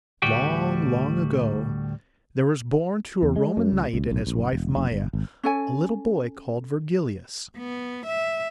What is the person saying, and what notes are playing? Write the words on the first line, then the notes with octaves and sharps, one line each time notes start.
Long, long ago there was born to a Roman knight and his wife Maja a little boy called Virgilius.
D2 A2 G3 F#4 G4 G5
E2
G#3
F#2
C#2
C#2
B1
A#1
F#1
E1
F#1
G1
G#1
C#4 A4 G#5
B3
E5